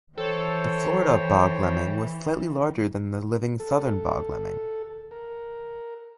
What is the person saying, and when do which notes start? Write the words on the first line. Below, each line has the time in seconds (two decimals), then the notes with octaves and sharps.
The Florida bog lemming was slightly larger than the living southern bog lemming.
0.18 E3 A4 C5 C#5 G5
3.60 A4
5.11 A#4